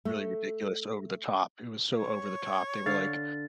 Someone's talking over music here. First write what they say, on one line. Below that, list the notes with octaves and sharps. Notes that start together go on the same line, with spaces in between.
Really ridiculous, over the top, it was so over the top, they were, like,
A3
C#5
D3 F5 A6